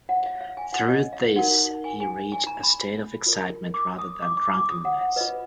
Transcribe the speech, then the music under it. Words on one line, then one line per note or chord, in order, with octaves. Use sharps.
Through this he reached a state of excitement rather than drunkenness.
F#5
F5
F5
G#5
F#5
D#5
F5
D#4 F#4 A#4 F#5
G#5
G#5
G#5
A#5
B5
F4 A#4
D6
D#6
D6
D6
D6
D#6
F#5
F#5
F4 B4 D#5